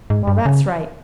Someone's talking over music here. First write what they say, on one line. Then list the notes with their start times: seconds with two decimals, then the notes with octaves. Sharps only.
Well, that's right.
0.10 G#2
0.27 G2
0.45 C#3